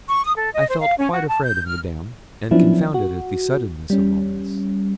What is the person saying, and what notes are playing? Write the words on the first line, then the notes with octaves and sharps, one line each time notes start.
I felt quite afraid of Madame, and confounded at the suddenness of all this.
C#6
D#6
A4
D#5
C5
F5
C#4
F#4
A5
G6
F6
F3 F#3 B3 C#4 D4 E4
F#4
G3 C#4